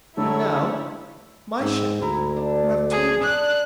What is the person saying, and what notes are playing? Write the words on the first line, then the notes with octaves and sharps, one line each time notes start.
"And now--my share--you haven't told me..."
D3 F#3 G3 A3 E4 A4 C#5
G#2 C4 G5
D2 E4 A#5
D4
G#4
D4 F#6